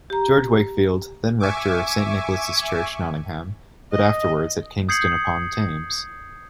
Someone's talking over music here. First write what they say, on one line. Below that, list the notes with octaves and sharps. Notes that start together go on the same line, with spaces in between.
George Wakefield, then rector of Saint Nicholas' Church, Nottingham but afterwards at Kingston-upon-Thames.
G4 A#5
E5 G#5 C#6 D6
D#5
D#6 G6 G#6 C7 C#7 F#7